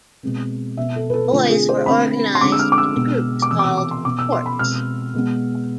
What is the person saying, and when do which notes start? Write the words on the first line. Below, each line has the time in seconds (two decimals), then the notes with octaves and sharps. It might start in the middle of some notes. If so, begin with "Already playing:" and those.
Boys were organized into groups called forts.
0.23 B2 G#3 C4
0.77 B2 B3 E5
0.96 A4
1.10 B4
1.14 A4
1.32 D3 A3 C4 F4
1.50 G#4
1.69 C5
1.86 D3 A3 C4 B5
2.35 C6
2.41 D3 G#3 C4 D6
2.52 E6
2.59 F6
2.72 D6
2.78 E6
2.96 B2 G#3 B3
3.42 D6
3.50 C3 E3 B3 E6
3.59 D6
3.64 E6
3.78 D6
3.91 C6
4.05 B2 B3 D6
4.19 E6
4.32 C6
4.46 B5
4.59 B2 G#3 C4 F6
5.14 B2 G#3 B3